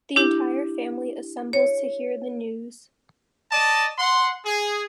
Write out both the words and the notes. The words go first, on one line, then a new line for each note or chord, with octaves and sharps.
The entire family assembles to hear the news.
D4 E4 G4
C#5
D5 D#5 A5
F#5 C6
G#4